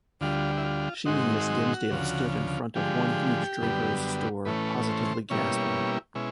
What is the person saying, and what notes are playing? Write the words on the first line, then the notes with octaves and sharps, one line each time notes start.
She and Miss Dimsdale stood in front of one huge draper's store positively gasping.
D2 D3 G3 F4
E4
F4
G#2 D#3 G#3 C4 D#4 F#4
D2 C#3 F3
D3 F3 G#3 G4
F#2 D3 G3 B3
A2 E3 A3 C#4 B4
B4
C5
B2 G3 A#3 C#4 E4 C#5
B2 G#3 C#4 E4